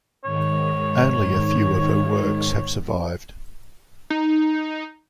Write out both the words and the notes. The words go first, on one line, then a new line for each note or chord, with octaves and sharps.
Only a few of her works have survived.
G#2 D#3 C#5
D#4